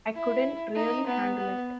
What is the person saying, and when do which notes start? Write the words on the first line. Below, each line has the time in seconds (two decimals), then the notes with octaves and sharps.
I couldn't really handle it.
0.15 E4
0.76 D#4
1.07 B3
1.38 B3